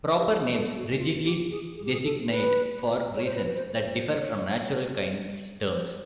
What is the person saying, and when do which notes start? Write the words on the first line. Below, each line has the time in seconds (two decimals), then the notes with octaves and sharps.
Proper names rigidly designate for reasons that differ from natural kinds terms.
0.18 G4
0.38 G#4
0.58 A4
0.78 F#4
0.97 F4
1.24 G4
1.50 G#4
1.76 G#4
1.85 G4
1.92 G#4
2.04 A4
2.30 B4
3.16 C#5
3.25 C5
3.36 B4
3.55 C5
3.75 C5
3.95 C5
4.15 C#5
5.73 C5